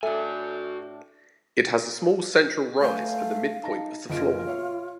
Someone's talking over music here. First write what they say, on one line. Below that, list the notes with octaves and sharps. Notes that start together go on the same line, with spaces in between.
It has a small central rise at the midpoint of the floor.
A2 D4 F#4 A4 E5 G#5
A3 B4 F5 G#5 G6
D#4 A5 A#6
F#1 B2 F4 D#5 D7
C#5 E5 F5